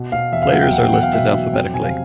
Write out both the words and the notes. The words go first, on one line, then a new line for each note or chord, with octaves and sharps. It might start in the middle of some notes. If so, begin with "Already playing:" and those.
Players are listed alphabetically.
Already playing: B2
B2 F5
E2 E5
F5
F#3 F#5
G5
E2 F#5
G5
E2 F#5
F5
B2 E5
F#3
F2 G5
C3 G#5
F5